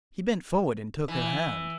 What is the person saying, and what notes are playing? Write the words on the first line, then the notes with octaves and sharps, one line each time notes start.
He bent forward and took her hand.
E3